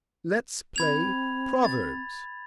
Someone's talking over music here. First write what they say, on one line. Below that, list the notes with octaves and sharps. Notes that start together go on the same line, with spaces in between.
"Let's play proverbs."
C4 B5 G#6 F7
A6